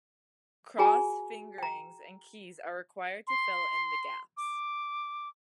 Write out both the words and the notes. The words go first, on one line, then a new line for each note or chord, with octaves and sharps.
Cross-fingerings and keys are required to fill in the gaps.
F4 F#4 G#4 G#5 A#5
G5 A#5
C6
D6